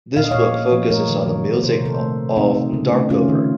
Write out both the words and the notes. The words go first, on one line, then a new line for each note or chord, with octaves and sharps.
This book focuses on the music of Darkover.
A#2 F5
D#5
A#2 C#5 F5
A#3
F3
A3 A#4 C#5
D#3
D#3
A3
C3 C5
A#4
C3 A4 C5
A3
D#3
A3 C4 D#4
C#3
C#3
A3
A3 C#4 F4
D#3